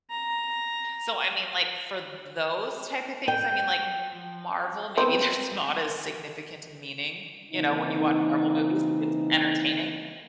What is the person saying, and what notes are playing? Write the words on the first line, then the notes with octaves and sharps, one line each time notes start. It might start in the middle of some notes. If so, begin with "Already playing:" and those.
So, I mean, like, for those type of things, I mean, like Marvel, maybe there's not as significant a meaning, you know, when you watch Marvel movies, it's entertaining,
A#5
G5
B3 C4
C#3 E3 A#3 C4 D#4